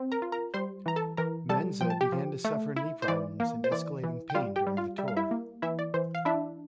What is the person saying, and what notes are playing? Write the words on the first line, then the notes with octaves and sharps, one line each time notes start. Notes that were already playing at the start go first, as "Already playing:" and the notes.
Menza began to suffer knee problems and escalating pain during the tour.
Already playing: C4
A#4 A#5
F4
A#4 A#5
G3 C5 C6
E3 A#5
A4 A5
E3 A#4 A#5
G3 A4 A5
F3 G5
A5
G4 G5
F3
A3
E4
C5
E3 D5
A#3
C5
E3 D5
E3
G5
G3 F4 F5
G4 G5
G3
F4 F5
G3 E5
F5
E4 E5
A#3
E3 E4 E5
D5
E3 C5
F5
D4 E4 E5